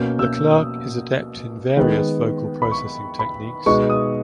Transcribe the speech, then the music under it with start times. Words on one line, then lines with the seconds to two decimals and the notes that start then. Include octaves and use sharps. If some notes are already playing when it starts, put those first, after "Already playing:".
Leclercq is adept in various vocal processing techniques.
Already playing: B2 A#3 C#4 G6
0.19 E6
0.51 D#6
1.77 D#3 G#3 B3
2.62 B5
2.71 C#6
3.19 B5
3.66 B2 G#3 B3 D#4 C#6
3.90 D#6